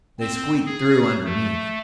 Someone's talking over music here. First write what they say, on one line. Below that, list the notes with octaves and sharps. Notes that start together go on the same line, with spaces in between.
They squeaked through underneath.
C4
G#4
A3